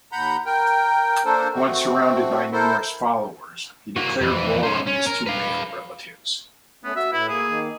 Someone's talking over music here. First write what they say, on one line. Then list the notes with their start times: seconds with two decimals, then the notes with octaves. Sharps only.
Once surrounded by numerous followers, he declared war on his two male relatives.
0.12 D#2 F#5 A#5 B5 G6
0.46 A#4 G5
1.25 A#3 D4 A4 A#4 C5
1.54 A3 C4 F#4
2.53 E4 A4 A#4 C5
3.96 A#3 F#4
4.21 F2 E3
4.63 C#4 C5
4.86 C#4
5.06 A#4
5.26 B4 F5
6.84 A3 B3 C#4
6.96 F#4 E5
7.13 A2 E4 B4
7.29 A#3 G#4
7.48 D#3 A#3